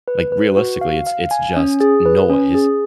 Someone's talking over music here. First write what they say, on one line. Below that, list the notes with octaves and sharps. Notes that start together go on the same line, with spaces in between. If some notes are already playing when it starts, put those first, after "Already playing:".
like realistically it's it's just noise,
B4
B4
F#4
F5
F5
G#5
C#4
G#4
B4
C#4
G#4